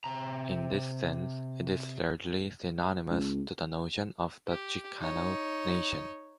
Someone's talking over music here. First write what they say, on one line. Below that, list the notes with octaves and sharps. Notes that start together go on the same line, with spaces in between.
In this sense it is largely synonymous to the notion of the Chicano nation.
C3 A#5
C#2
G4
D#4 C#5